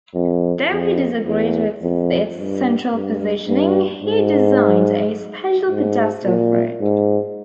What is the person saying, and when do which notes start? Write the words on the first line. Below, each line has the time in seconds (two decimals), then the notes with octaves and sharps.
Though he disagreed with its central positioning, he designed a special pedestal for it.
0.14 F2
0.70 F2
1.26 E2
1.81 F2
2.36 G2
2.93 G2
3.48 G2
4.03 G#2
5.70 G#2
6.25 A#2
6.81 G#2